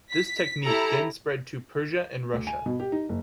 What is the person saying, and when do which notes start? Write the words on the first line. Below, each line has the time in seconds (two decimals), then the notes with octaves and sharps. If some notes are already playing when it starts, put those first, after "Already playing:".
This technique then spread to Persia and Russia.
0.13 B6
0.65 E4 G4 A4 A#5
2.33 D2
2.47 G#5
2.66 B2
2.80 G4
2.92 D#4
3.09 F#1